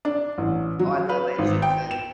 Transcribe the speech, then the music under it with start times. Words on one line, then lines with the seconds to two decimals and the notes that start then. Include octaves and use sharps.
Oh, I love Asian food.
0.05 D4
0.38 A1
0.79 F#3
1.09 B4
1.38 G#1
1.62 G5
1.91 E7